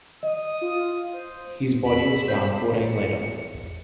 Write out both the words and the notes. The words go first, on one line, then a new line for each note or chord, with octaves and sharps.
His body was found four days later.
D#5 D#6
F4
C5
E2 B5 E6
C5
C#7